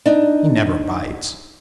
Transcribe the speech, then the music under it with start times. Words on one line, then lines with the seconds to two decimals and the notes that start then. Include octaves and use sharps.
"He never bites."
0.06 D4 D#4